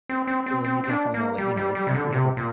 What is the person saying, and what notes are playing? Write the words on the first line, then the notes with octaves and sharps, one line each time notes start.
So then you definitely know, like, you know, it's we have a
C4
C4
C4
C4
C4
D4
A#3
G3
G3
G3
C3
D3
C3
A#2